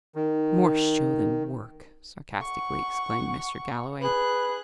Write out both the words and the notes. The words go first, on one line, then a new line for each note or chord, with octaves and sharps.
"More show than work!" sarcastically exclaimed Mr. Galloway.
D#3
F#5 C#6
G#4 B4 F#6